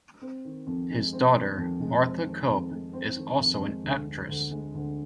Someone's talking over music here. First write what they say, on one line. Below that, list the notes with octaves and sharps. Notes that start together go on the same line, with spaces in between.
His daughter Martha Cope is also an actress.
C4
D#3
F2
G#3
C4
D#3
F2
G#3
C4
D#3
F2
G#3
C4
D#3
F2
G#3
D2
D3
D2
G#3
D2